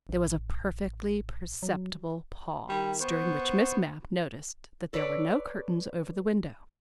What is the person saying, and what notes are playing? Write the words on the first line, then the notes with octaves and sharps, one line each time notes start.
There was a perfectly perceptible pause, during which Miss Mapp noticed that there were no curtains over the window.
A1
F#3
D#3 G3
B3 C5 C#6
A4 B4 C#5 D5